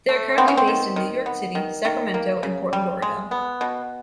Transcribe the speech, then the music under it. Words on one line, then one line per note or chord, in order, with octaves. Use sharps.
They are currently based in New York City, Sacramento, and Portland, Oregon.
A3
B3 C4
C#4
C4
D#3
D#3
B3
D#3
D#3
A#3
C#3
G3
G#3
B3
B2